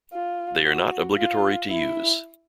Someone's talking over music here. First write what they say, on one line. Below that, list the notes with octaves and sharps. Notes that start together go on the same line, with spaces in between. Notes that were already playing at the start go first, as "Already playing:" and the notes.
They are not obligatory to use.
F4
F#4
F4
E4